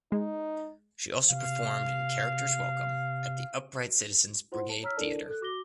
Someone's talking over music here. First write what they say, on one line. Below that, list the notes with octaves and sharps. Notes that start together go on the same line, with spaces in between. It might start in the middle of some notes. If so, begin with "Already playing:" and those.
She also performed in "Characters Welcome" at the Upright Citizens Brigade Theatre.
G#3 D#4
C3 F5
E4 F4 C5 F#5 C6
A5
C#5 A#5 E6 F6 B6
D4 E4 A4 A#4 D5 A5
A4 F#6
F#4 D6 A#6 G7